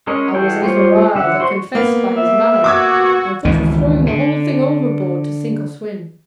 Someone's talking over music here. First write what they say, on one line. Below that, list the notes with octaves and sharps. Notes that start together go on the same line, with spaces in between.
I was a little "riled," I confess, by his manner, and thought of throwing the whole thing overboard to sink or swim.
G#3 C#4 A#4 C#5 D#5
E3 F#4 G#4 A4 G5
G3 F4 C5 C#5
D3 E5 F#5
F#4 C5 C6 C#6
A#3 B3
E5
F#4 D6 E6 G#6
G#1 C#2 D#3 E3
D3